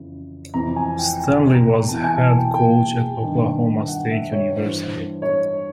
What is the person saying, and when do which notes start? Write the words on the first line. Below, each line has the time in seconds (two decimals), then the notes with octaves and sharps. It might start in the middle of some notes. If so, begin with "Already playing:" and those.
Stanley was head coach at Oklahoma State University.
Already playing: F2 C#3 E3
0.54 F2 C3 E3 A#5
0.76 G#5
0.98 G5
1.21 G#5
1.54 A#5
1.88 E2 C3 E3 A5
2.04 G#5
2.21 A5
2.38 G5
2.54 G5
3.22 G2 D#3
3.88 F#5
4.10 E5
4.32 C#5
4.55 G2 E3 C5
5.22 C#5